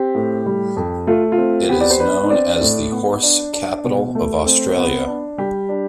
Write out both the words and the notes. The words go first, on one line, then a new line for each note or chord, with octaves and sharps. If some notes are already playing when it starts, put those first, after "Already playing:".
It is known as the 'Horse capital of Australia'.
Already playing: C4 G4
A2
G3
F2
A3 F4
F4
C4
B3 G4
D5
C5
D4 B4
C4 D5
A2
B3
D4
D4
B2
A3
C4
B3
D4
G3 G4
D4